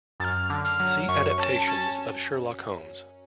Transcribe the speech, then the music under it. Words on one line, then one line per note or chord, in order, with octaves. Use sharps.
See Adaptations of Sherlock Holmes.
F#2 F6 A6
D3
F6
F#3
F#2 C#6
C#4 A5
C#4 A5